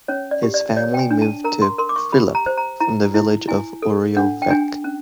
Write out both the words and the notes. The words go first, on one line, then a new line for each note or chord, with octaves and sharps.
His family moved to Prilep from village of Oreovec.
C#4 C#5
D5
G4
D5
C#5 D5
G5
G#5
D4
A5
A#4 A#5
C6
A#4 C6
D6
C#6
G4 B5
A#5
C5
A#5
E4 A#5
E4
E4 G#5
A4
D4 F#5
G5
D4 G#5
C#4